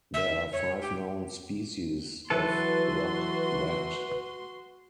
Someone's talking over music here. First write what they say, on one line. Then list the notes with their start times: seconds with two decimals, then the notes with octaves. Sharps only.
There are five known species of rock-rat.
0.13 E5
0.52 C#5
0.81 G4
2.30 E3 F#3 F#4 A4 B4 C6